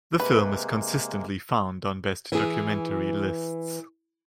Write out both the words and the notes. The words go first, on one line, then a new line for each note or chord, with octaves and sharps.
The film is consistently found on "best documentary" lists.
C3 G#3 A#3 B4
E3 G#4